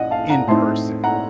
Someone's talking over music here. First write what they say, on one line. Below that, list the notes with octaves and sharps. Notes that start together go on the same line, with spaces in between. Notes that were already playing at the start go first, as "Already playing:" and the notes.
in person?
Already playing: A#1 C#4 D#5 F#5
F5 A5
F#5 A#5
A2 A3 C4 D#4 A5 C6
F#5 A#5